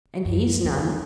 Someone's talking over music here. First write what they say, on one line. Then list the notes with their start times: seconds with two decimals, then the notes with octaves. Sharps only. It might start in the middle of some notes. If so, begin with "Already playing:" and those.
And he's none.
0.25 F#2
0.64 F2
0.77 E2